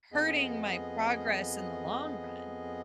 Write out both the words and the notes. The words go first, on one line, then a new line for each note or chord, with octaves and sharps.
hurting my progress in the long run?
F2 B3 G#4 D#5